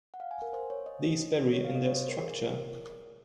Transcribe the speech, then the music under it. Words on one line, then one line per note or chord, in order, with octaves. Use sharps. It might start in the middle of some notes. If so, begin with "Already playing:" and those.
These vary in their structure.
F#5
F5
G#5
A#4
C5
C#5
D#5
C#5
F5
D#5
C#5
C5
A#4
G#4
A#4